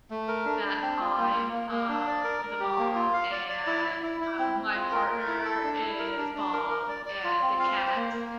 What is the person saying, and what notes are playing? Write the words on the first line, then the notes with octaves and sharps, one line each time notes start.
that I'm, um, the mom and, um, my, partner is Bob and the cats
A3
A#4
D4
D4
C4
F4
A#3
A#3
A#3
A#3
D4
D5
A#4
A#4
G4
A#3
F4
F5
D5
D5
E4
E4
E4
E4
C4
C4
F4
A#4
A#4
E4
A4
D4
E4
A#4
D4
D4
A#4
A#4
D5
D5
F4
C4
F5
C5
A#3
A#3